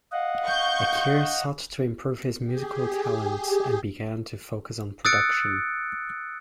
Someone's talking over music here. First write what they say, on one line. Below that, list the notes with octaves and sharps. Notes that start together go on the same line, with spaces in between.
Akir sought to improve his musical talent and began to focus on production.
D#5 F5 F#5
C#6 G6
G4 G#4
D#6 E6 F#6 A6 C#7 D7